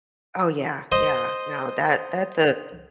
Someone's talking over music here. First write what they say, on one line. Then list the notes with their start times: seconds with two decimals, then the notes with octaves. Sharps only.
Oh, yeah, yeah, no. That that's a
0.92 C5 D#5